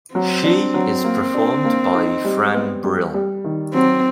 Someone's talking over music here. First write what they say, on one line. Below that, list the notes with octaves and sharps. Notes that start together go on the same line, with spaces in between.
She is performed by Fran Brill.
F#3 C4
D4
F#3
A#3
D4
A#3
D#4
G3
B3
G3
G3
D#3
F#3 C4